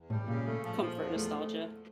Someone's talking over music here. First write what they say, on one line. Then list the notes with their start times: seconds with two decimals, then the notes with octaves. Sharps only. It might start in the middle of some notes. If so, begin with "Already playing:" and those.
comfort nostalgia.
Already playing: E2
0.10 A2 G3
0.27 A#2 C#3
0.46 A3
0.63 F3
0.81 F3
0.98 E2
1.16 F3 A3